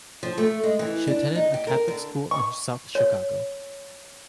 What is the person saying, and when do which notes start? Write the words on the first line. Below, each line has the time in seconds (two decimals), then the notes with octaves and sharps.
She attended a Catholic school in South Chicago.
0.23 F3
0.38 A3
0.63 G#3
0.79 E3
1.07 D4
1.35 D#4
1.54 G4
1.67 A#4
1.88 D3
2.31 C#6
2.95 C#5